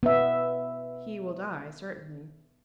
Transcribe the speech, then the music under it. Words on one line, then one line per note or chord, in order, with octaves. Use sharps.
"He will die, certainly."
B3 E5